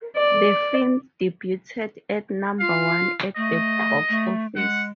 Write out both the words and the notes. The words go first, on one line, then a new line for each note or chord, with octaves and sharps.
The film debuted at number one at the box office.
D5
F4 F5
A3 D#5
A3
G#3 F#5